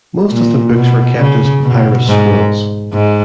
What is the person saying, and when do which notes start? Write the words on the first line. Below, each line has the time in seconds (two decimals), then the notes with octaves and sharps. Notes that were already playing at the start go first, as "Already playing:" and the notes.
Most of the books were kept as papyrus scrolls.
0.31 A#2
0.74 B2
1.18 C#3
1.62 B2
2.06 G#2
2.93 G#2